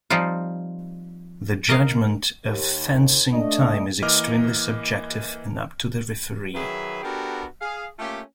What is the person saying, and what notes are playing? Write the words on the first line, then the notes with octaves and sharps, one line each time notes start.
The judgement of "fencing time" is extremely subjective and up to the referee.
F3 G3 C4 D#4 F4
A#4 D#5 F5
D#2
A3 D4 D#5
E3 A#3 A#4 D#5 D6 F6
D#3 F#3 G#4 B4 E5 B5
B3 D4 F#4 G4 A4 A#4
G#4 F5
A3 A#3 C#4 F4 G4